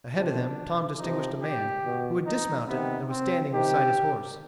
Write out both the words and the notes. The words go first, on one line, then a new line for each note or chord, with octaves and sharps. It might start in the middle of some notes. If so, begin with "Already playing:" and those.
Ahead of them Tom distinguished a man who had dismounted and was standing beside his horse.
C3 F3 D4
C3 F3 D#4
G4
B2
D#4
C3 D#3 B3
C4
C3 D#3 G4